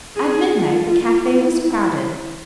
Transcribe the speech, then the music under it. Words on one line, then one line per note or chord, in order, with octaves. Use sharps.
At midnight the cafe was crowded.
G#4
F4
E4